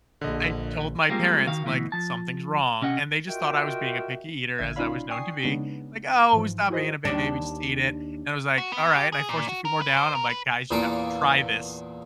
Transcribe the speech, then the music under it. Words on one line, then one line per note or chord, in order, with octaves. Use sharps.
I told my parents, I'm like, "Something's wrong," and they just thought I was being a picky eater as I was known to be, like, "Oh, stop being a baby, just eat it," and I was like, "Alright," and I forced a few more down, I'm like, "Guys, you have to try this,"
A#1 D3 D#5
G3 G#3 A#3 C4 F4
D#3 F#4 F5
D2 B2 E3
F3 A5
C3 C#4 D#5 F#5
F4 F#4 A#4 D#5 E5 G5
A1 D3 E5 G#6
C#4 D#4 F4 D5 F5 B5
D5 G5 G#5 C#6 D#6 C7
C#3 G#3 B3 D4 D#4
G#2 E3 F3
E4 F#4 G#4 C5 D#5
D#2 D4
F#4
B3
G4
G#4
A#2
F#4
A#4
B4
C5
A#4
B4
E2 A#2 A#3 G#4 A4 D6